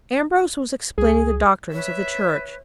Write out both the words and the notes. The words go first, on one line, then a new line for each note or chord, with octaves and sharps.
Ambrose was explaining the doctrines of the Church.
C#2 G#4
B4 C#5 E5